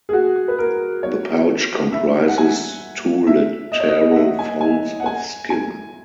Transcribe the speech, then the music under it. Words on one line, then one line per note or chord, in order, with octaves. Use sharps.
The pouch comprises two lateral folds of skin.
G#4
F#4
B4
A#4
C#5
E5
F#5
G#5
E5
D#5
C#5
D#5
F#5
E5
G#5
G#5
F#5
G#5
G#5